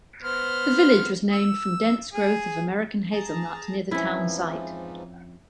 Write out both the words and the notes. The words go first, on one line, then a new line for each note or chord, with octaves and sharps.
The village was named from dense growth of American Hazelnut near the town site.
B3 C5 F6
E6
G#4
G#4 A5 A#5
F2 G#2 E3 F3 C#4 E4